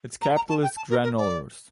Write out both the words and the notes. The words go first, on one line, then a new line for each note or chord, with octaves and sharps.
Its capital is Granollers.
A#5
A#5
A5
G5
A5
A#4
A#4
D5